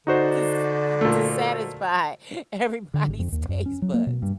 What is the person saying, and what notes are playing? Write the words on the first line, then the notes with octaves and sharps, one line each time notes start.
To s e to satisfy everybody's taste buds.
D3 D#4 F#4 C5 D5
A#2 A3
D3
G#1
F2
D#2
F#2
C#4
F#3
A#3
B2
G2